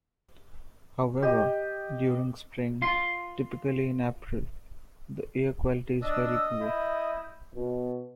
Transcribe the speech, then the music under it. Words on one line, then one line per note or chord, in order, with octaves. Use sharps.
However, during Spring, typically in April, the air quality is very poor.
G4 D#5
F4 C6
D4 D#5 D#6 E6
E4 G6
B2